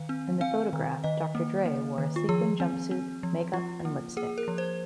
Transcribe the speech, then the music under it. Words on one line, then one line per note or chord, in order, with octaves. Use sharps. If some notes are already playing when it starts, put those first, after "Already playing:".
In the photograph Doctor Dre wore a sequined jumpsuit, makeup, and lipstick.
Already playing: D#3 F5
C4
C4 F5
D#3
D#3 D#5
A#3
A#3
D#3
F4
F3 G#4
C4
C4
F3
F3 F4
A#3
A#3 G#4
A#4
F3
C5